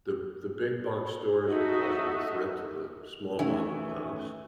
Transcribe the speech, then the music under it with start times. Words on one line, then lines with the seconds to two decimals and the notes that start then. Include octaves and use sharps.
The the big box stores are causing a threat to the small mom-and-pops,
1.48 D#4 F#4 A4 D#5 E5
3.39 D#3 E3 A3 C#4